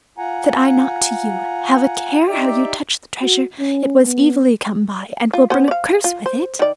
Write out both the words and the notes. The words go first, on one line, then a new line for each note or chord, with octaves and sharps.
Said I not to you, Have a care how you touch the treasure, it was evilly come by and will bring a curse with it?
F4 F#5 G#5 A#5
D#4 G4 D5 E5 G5
F#4
C#4
B3
F4
B3 C5
D5 F5
F4
C5
D#3 D5